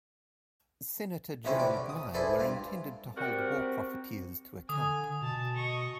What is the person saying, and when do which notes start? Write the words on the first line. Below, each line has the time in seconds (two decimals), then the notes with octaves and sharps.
Senator Gerald Nye were intended to hold war profiteers to account.
1.45 A1 C3 C#4 E4 F4 G5
1.58 D3 D4 D5 D6
1.89 D#6
2.14 E4 G#4 A4 B4 C5 D5
2.39 G2 F4
3.16 G3 C4 F#4 A#4
4.69 D3 G#5 D#6
5.22 B2 A5
5.56 D#5 C#6